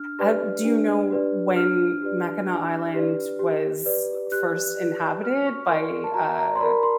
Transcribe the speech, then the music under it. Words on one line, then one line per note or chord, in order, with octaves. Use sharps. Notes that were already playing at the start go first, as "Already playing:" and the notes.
uh, do you know when Mackinac Island was first inhabited by, uh
Already playing: D4 F6
G4 B4 D5
D4
G4 B4 D5
D4 F6
G4 B4 D5
D4
G4 B4 D5
G4
B4 D5
G4 F#6
D5
B4
F#4 F6
C#6
A#4 D5 C6
A5
F#4 A#5
A#5
C6
A#4 D5 B5
C6